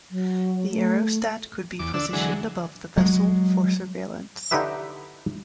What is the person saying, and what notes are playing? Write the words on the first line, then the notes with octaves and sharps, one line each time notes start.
The aerostat could be positioned above the vessel for surveillance.
F#3
A3
E2 D6
D3 D4 E6
D3 E3 F#3 G#3
F#3 G#3
D3 D#4 E4 G4 B4 E5